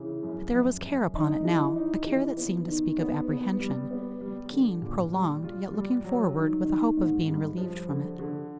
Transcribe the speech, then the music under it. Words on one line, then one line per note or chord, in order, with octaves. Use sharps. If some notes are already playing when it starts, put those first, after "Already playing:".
But there was care upon it now--a care that seemed to speak of apprehension--keen, prolonged, yet looking forward with a hope of being relieved from it.
Already playing: C#3 E3
F#2
F#2
F#2
D#4
E3
D#4
E3
B3
D#3
B3
B3
G3
B3
G3
D3
A#2
G3
F4
G3
F#3
D#3
D#3
G#2
G2
F3
D3
D3